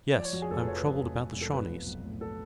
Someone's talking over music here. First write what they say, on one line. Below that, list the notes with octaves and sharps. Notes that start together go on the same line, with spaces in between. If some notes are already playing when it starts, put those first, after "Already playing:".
Yes, I am troubled about the Shawnees.
F3 D5
C#5
F2 F#4
G#4
F1 A4
B4
F3 C#5
B4
F1
F1
F1
F1
A4
B1 B4
F3
B1
A2
A4